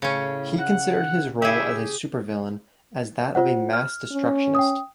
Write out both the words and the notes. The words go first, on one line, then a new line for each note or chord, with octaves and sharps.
He considered his role as a supervillain as that of a "mass-destructionist".
A2 C#3 C#4
F#5
E4 G4 G#4 E5
F4 C5 F#5
F6
C#4
G5 D#6